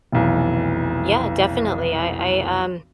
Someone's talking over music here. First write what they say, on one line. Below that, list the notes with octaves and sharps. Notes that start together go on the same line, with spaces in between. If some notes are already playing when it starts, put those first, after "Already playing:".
Yeah. Definitely. I I, um,
F1 B1 E3